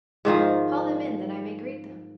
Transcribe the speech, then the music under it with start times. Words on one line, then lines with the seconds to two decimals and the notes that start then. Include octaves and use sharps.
"Call them in, that I may greet them."
0.25 G#2 D#3 F3